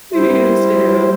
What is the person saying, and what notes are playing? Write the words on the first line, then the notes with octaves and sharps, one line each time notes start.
You too.
G3 E4 C5